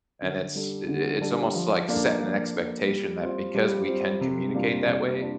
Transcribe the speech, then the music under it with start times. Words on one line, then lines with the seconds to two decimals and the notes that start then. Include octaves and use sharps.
And it's it it's almost, like, setting an expectation that because we can communicate that way,
0.22 D3
0.56 G3 D4 A4
0.88 D3
1.21 G3 D4 A4
1.55 F3
1.88 A#3 D4 A4
2.21 F3
2.55 A#3 D4 A4
2.88 G3
3.21 C4 F4
3.55 G3
3.88 C4 F4
4.21 C3
4.54 G3 A#3 D4 F4
4.88 C3
5.22 D4 F4